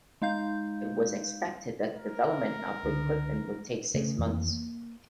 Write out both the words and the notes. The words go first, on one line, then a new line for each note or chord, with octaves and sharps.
It was expected that development of the equipment would take six months.
G#3 D#4 F5 G6
A#4
C#2 D3
C#3 A3
F2 E3 A#3
A#3